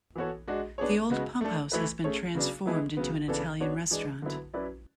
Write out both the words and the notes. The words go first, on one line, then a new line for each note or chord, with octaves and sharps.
The old pumphouse has been transformed into an Italian restaurant.
E3 B3 F#4 A4 C#5
G#3 D4 F#4
B3 D4 G#4 C#5
C#3 G#3 B3 F#4
A3 D4 A4
E3 A3 E4 B4
A3 C#4 G#4 C#5
C#3 F#3 B3 D4
E3 G#3 B3 E4 G#4
C#3 F#3 B3
C#3 E3 B3 D4 A4
B3 D4 F#4 C#5
E3 G#3 D4 G#4
D3 F#3 B3 E4 B4
F#3 C#4 E4 B4 D5